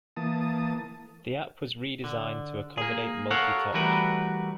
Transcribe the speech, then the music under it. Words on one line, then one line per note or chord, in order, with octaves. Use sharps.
The app was redesigned to accommodate multi-touch.
E3 A#3 A5 D#6
D3
A#3 G#4
A4 A#4 C#5 F5 F#5
E3 G3 A3 F#4 A#4 B4